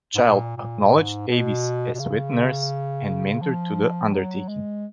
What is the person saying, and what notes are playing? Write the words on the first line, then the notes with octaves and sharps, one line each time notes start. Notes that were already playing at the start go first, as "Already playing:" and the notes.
Child acknowledged Avis as "wet nurse" and "mentor" to the undertaking.
G#2
A#2
A#2
G#2
B2
B2
C#3
F3
F#3
G#3